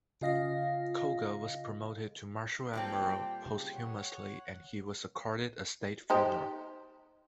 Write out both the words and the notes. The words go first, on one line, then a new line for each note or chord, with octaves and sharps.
Koga was promoted to Marshal Admiral posthumously and he was accorded a state funeral.
C#3 F4 D#5 F5 A#6
A#2 G3 C4 G4 A4 G5
C#3
C#5 F#5
D#4 G4 C5